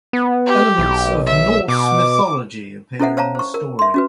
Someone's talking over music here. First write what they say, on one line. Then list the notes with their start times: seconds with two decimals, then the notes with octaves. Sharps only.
Elements of Norse mythology appear in the story.
0.13 B3
0.46 G4
0.78 B1
1.26 E5
1.68 B2 D6
2.99 C#4 E4 A4 C5 E5 F#5
3.17 C5 C#5 F5 A5 A#5
3.35 C5 C#6
3.54 A#4
3.79 E5 C6
3.94 C#4 F#4 B4